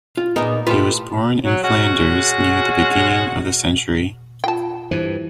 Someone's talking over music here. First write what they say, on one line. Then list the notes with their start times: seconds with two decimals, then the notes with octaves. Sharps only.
He was born in Flanders near the beginning of the century.
0.17 F4
0.36 A#2 B3 D#4 G#4 A#4
0.67 A2 F4 G4 A4 B4
1.45 F#3
1.63 G#3 C#4 F#4
4.44 F4 F#5 G5 A5
4.91 G2 E3 C5